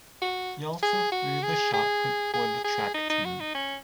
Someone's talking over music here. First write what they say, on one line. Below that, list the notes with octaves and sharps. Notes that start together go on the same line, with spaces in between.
He also threw the shot put for the track team.
F#4
G#4
F#4
G#4
G#4
G#4
G#4
D#4
D#4
F#4
D#4
C#4